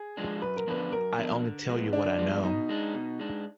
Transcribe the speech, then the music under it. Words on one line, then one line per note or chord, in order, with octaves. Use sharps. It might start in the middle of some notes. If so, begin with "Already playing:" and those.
I only tell you what I know.
Already playing: G#4
F3 G#3 D4
F#2 B4
A#4
D3 F3 B3 D4 B4
F#2 A#4
D3 F3 B3 D4
D3
F3 G#3 B3
D3 D4
F3 G#3 B3
B2 D#4
G#3 D4
B2
G#3 D4